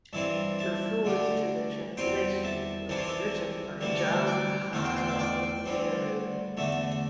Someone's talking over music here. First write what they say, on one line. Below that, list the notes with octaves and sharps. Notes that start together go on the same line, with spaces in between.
The foreword to the translation was written by Jawaharlal Nehru.
G2 E3 G3 C4 E5 A5
E5 A5
D2 D3 G3 D4
E2 C3 G3 C4 G5 C6
E5 A5
C2 C3 E3 G3 D4 A5
C6
E5 A5
D2 C3 E3 G3 E5 A5
A4 D5
C5 E5
D5 G5
E2 D3 A3 C4 E5 A5
G5 C6
G5 C6
E5 A5
D5 G5
D2 D3 G3 C4
E2 D3 A3 E5 A5